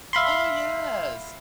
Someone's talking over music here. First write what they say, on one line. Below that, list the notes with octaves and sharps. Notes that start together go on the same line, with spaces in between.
Oh, yes.
E5 F5 B5 C6